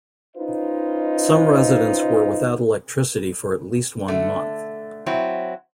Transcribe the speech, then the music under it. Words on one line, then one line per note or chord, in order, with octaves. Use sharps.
Some residents were without electricity for at least one month.
C#4 D#4 F4 B4 C5 D#5
D3 A3
F#3 C4 E4